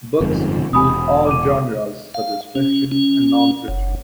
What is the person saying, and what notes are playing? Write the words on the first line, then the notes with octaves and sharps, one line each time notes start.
Books include all genres such as fiction and non-fiction.
G1 F2 G#2
E1 G#5 B5 D#6
D6 D#7
F5
C#4
C#4
F#1